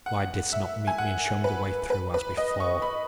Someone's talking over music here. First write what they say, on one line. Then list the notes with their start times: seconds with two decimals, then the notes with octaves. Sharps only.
"Why didst not meet me and show me the way through, as before?"
0.06 F#5
0.53 E5
0.87 G#5
0.98 F#5
1.44 B4
1.90 B4
2.14 B4
2.37 D#5
2.60 C#6
2.82 B5